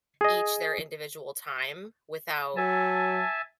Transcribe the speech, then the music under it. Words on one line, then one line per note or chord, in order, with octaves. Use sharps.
each their individual time without
G#4 D#5
F#3 E5 G#5 A5